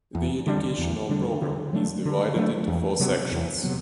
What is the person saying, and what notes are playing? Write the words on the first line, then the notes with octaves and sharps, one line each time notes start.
The educational program is divided into four sections.
E2
D3 G3 D4
E2
D3 G3 D4
D3
F#3 A3 D4
D3
F#3 A3 D4
E2
C3 F#3 B3
E2
C3 F#3 B3